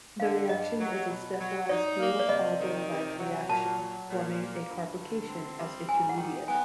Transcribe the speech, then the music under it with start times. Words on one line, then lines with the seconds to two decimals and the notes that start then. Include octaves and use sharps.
The reaction is a stepwise Diels-Alder like reaction, forming a carbocation as intermediate.
0.20 D3 F5
0.49 G2 D#5
0.80 F#3
1.09 B2
1.40 F#3
1.69 D#4 D5
1.99 A#3
2.19 D5
2.29 C3 D#5
2.59 D#3
2.89 C3
3.19 F#3
3.48 A#2 A5
3.78 F#3
4.09 A#2
4.38 A#3
4.69 G2
4.98 D3
5.28 C4
5.58 G3
5.89 G#2 G#5
6.09 F#5
6.18 D#3 G5
6.48 B3 G#5